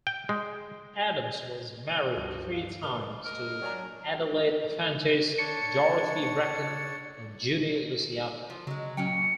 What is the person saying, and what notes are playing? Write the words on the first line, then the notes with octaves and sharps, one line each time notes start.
Adams was married three times, to Adelaide Efantis, Dorothy Bracken, and Judy Luciano.
G5
G#3
C#2 G2 F3 F#4
F5
G#2 D4 A#4 B4 F6
A#4 D#5
F#3 D4 C#5 G#5 A#5
D4 C#5 A5 C#7
F3
C#3 F#3 G#3
A#2 F#3 C#4 G5 C#7